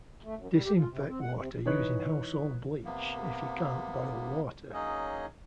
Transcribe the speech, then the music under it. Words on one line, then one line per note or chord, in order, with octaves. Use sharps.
Disinfect water using household bleach, if you can’t boil water.
A3
F#2
G3
G4
F4
C3
C4
F#5
C3
E3 D#4 B4 C#5 F#6
C3 A#3 B3
F#3 A#3 C#4 D#4 G#4 D#5